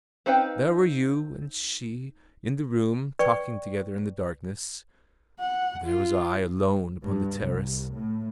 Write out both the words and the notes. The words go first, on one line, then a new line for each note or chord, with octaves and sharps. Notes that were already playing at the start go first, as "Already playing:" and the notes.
There were you and she in the room talking together in the darkness; there was I alone upon the terrace.
C4 D#4 B4 F5 G5
B4 D5 G5 C#6
F#5
F4
G2
C2
A2